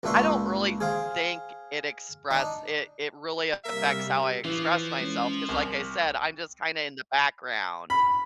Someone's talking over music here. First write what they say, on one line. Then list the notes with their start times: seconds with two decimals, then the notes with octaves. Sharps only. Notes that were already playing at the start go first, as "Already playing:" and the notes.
I don't really think it express it it really affects how I express myself, 'cause like I said, I'm just kinda in the background,
0.03 C#2 A#2 D4 E5 C6 C#6
0.80 G#4 C5 F5 G5
2.31 D4 D#4
3.65 C3 G3 A#3 A#4 E5
4.45 E3 F3
5.00 G#3 C#4
5.49 C2 A#4 G5 G#5
7.90 B5